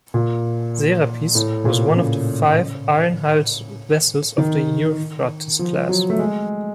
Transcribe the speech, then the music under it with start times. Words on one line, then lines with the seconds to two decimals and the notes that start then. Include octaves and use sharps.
"Serapis" was one of five iron-hulled vessels of the "Euphrates" class.
0.14 A#2
1.35 A2
1.65 A#2
1.96 C#3
4.38 D#3
5.59 F3
5.89 F#3
6.10 A3
6.19 G#3